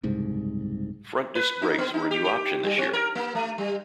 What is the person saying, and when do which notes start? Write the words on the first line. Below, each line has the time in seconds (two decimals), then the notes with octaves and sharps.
Front disc brakes were a new option this year.
0.03 F#1 C2 G#2
1.35 B4
1.62 D#4
1.78 B3
1.94 D#4
2.11 G4
2.24 G4
2.64 G3
2.79 C4
2.93 A#4
3.15 A#3
3.35 A3
3.58 G3